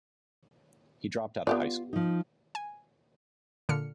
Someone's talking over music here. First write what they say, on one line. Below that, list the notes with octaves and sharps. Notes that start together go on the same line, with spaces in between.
He dropped out of high school.
B3 F4 G4 D5
F3 D#4
G#5
A#2 D3 F6 C#7